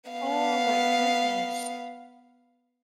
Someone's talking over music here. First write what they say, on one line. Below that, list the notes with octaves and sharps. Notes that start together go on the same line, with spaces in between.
Oh, my goodness.
B3 F5